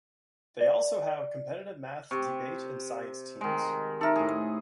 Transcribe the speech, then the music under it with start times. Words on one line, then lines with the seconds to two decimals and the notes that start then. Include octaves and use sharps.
They also have competitive math, debate and science teams.
0.61 D5
2.11 C3 C#6
3.41 D#3 G#3
4.01 D#4 A4 A#4 E5
4.16 A2 G#4